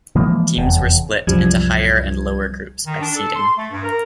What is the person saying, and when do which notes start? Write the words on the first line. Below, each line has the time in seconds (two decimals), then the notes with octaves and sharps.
Teams were split into higher and lower groups by seeding.
0.15 E3 F3 G#3 A#3
0.57 F1 E2
1.27 C2 F#2 F3 G3 G#6
2.86 D#3
3.01 D4
3.15 A4
3.35 C6
3.58 A3
3.71 G2
3.84 A#4